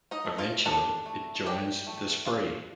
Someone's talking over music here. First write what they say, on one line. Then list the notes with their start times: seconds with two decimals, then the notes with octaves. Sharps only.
Eventually, it joins the Spree.
0.11 D#4 D#5
0.25 A3
0.38 F4 F5
0.66 D4 A4 A5
1.06 A3
1.46 D4 G4 G5
1.87 A3
2.26 D4 F4 F5